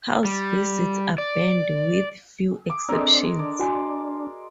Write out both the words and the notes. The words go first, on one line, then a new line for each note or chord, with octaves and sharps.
House visits are banned with few exceptions.
G3
D5
D6
G#3 C4 D4 A4 A#4 D5 E6
D4 D5
F#4 G#5 C6